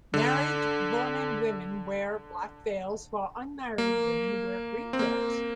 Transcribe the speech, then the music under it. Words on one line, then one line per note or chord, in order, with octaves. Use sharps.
Married Bonan women wear black veils, while unmarried women wear green veils.
D3
A#3
C4
A#3